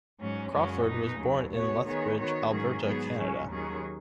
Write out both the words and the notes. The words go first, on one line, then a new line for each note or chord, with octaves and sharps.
Crawford was born in Lethbridge, Alberta, Canada.
G#2 F#3 C#4
F#2 C#3 G#3 C#4 F#4
B2 B3 D#4
D#2 C#3 F#3
B2 B3 F#4 C#5
D#3 B3 G#4 C#5
D#3 B3 F#4 C#5
G#2 D#3 F#3 C#4 G#4
G#2 F#3 B3 G#4
C#3 F#3 C#4
D#2 D#3 F#3 C#4 G#4